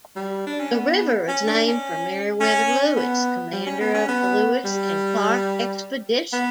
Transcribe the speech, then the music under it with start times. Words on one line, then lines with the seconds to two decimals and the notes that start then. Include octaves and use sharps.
The river is named for Meriwether Lewis, commander of the Lewis and Clark Expedition.
0.16 G3
0.47 D4
0.60 C#4
0.73 B3
1.28 C#4
1.47 D4
1.66 C#4
2.40 C#4
2.96 B3
3.52 G3
3.67 C#4
3.81 B3
3.94 C#4
4.09 B3
4.65 G3
6.33 B3